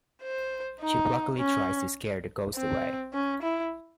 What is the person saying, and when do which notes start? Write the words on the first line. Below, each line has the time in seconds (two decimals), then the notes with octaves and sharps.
She pluckily tries to scare the ghost away.
0.22 C5
0.81 D#4
1.38 C#4
2.55 C4
3.13 C#4
3.42 E4